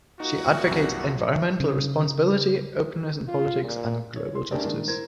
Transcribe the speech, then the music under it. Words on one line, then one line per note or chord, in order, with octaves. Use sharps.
She advocates environmental responsibility, openness in politics, and global justice.
A#3 D#4 F4 F#4
C2 F#2 C3
F#3
C#3
F4
A#2
C#5
C6
A3 C#4 D4 G4 A#4 D5
D#3 G#3 A#3 D4 E4
A2 A#4 C5 G#6